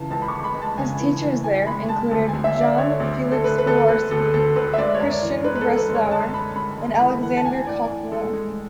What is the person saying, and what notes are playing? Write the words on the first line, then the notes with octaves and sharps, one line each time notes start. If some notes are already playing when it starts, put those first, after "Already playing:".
His teachers there included Jan Feliks Piwarski, Chrystian Breslauer and Aleksander Kokular.
Already playing: C#2 C#3 E3 A5
C#2 A5
B5
C#6
G#3
B5
G#3
A5
C#3 G#5
E3
E3
E3 G#5
G#3 B5
G#3 A5
D2 A5
D2 G#5
E5
D3 D5
D3 C#5
D2
D2
A4
D2 B4
B4
D2 A4
D2 B4
D2 A4
D2 A4
D2 B4
E5
G#3 D5
C#5
F#2
D5
E3
G#3 B4
B4
A4
F#2
B4
G#3
C#5
G#3 A5
G#3 B5
G#3 B5
G#3
E3 B5
E3 F#5
A5
A2 G#5
A2 D5
A2
G#3 A4
G#3